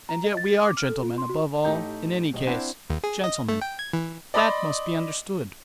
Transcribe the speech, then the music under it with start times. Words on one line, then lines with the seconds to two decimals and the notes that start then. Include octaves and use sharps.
And yet we are gentlemen, above all, in any case, gentlemen; that must be understood.
0.09 A#5
0.24 D#5
0.37 A6
0.62 D6
0.77 F6
0.89 A4
1.03 F4
1.18 C6
1.30 F#4
1.64 A1 A3 D#4 G4 G6
2.34 D#1 D#5
2.47 C4 D4 E4 C5 F#5
2.90 D#2
3.04 G#4
3.24 D#5
3.49 A3
3.61 G5
3.79 G#6
3.93 E3
4.34 D5 D#5 B5 C6 D6 D#6